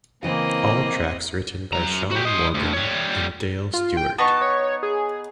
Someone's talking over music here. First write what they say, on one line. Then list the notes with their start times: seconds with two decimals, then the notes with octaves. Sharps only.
All tracks written by Shaun Morgan and Dale Stewart.
0.23 C#3 E3 A#3 C4 D#5 F5
1.73 F#2 A#5
2.11 F#4 G4
2.25 C5 D#5
2.54 D2
2.73 G3 C#5
3.74 F4
3.97 G5
4.18 B3 D#4 A5 C#6
4.41 C#5
4.83 G#4